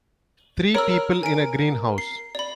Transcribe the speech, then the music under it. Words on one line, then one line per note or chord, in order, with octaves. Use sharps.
Three people in a green house.
A#4 C#5 B5 E6
G#5 D7
C7
D5 B5